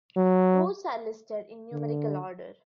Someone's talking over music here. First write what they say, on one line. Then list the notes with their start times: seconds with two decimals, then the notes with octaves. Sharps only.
Routes are listed in numerical order.
0.17 F#3
1.72 D3